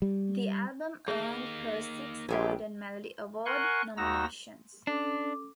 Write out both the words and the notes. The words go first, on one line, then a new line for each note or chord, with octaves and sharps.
The album earned her six Golden Melody Award nominations.
G3
A#3 D#4 G#4
A#1 F2 G#3 G4
A#4 F#5 G#5 C6 C#6 F#6
D#2 D#4 F#4 A#5 E6 A#6
C#4 D4 A4 D6